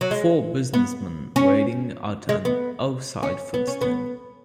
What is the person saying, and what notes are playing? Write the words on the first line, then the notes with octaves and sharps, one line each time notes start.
Four businessmen waiting at a outside food stand.
F#3
G#3
B3
C#4
G#3
B3
C#4
B3
C#4
B3